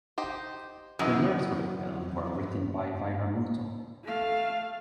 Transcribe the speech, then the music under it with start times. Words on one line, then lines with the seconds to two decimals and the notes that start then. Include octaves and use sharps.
The lyrics for the film were written by Vairamuthu.
0.18 D#4 G4 C5
0.99 F#2 E3 B3 D#4 G#4 B4 G5
4.04 A3 F5